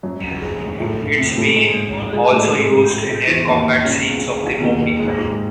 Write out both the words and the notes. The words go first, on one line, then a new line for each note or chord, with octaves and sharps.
It's been also used in Air combat scenes of the movie.
F#2 F#3
G#2 G#3
A2 A3
C3 C4
A2 A3
G#2 G#3
G#2 G#3
A2 A3
G#2 G#3
G#2 G#3
E2 E3
D#2 D#3
C#2 C#3
D#2 D#3
G#2 G#3
G#2 G#3